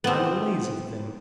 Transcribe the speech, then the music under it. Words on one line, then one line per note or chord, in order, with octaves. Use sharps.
I'm a lazy thing.
B3 C4